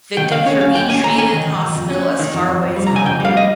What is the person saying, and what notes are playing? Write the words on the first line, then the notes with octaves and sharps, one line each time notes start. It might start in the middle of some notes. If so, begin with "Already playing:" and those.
Victims were being treated in hospital as far away as Gonder.
D#3 G5
D#3 F5
C#4 C#5
C#4 F5
D#2 G5
C#4 G#5
D#2 A#5
C#4 G#5
D#3
D#3
D#3
F2
C#4
C#4
D#3
F2
F2
F2
G3
A#5
C#3 G#5
F2 G5
G3 F5
D#5